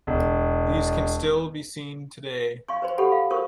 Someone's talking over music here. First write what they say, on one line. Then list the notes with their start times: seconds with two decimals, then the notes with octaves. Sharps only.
These can still be seen today.
0.07 E1
2.68 F5 C6 C#6
2.82 B4 C5 C6
2.98 G4 A4 F#5 B5 C#6
3.12 F5
3.31 A#4 C5 C#6 D#6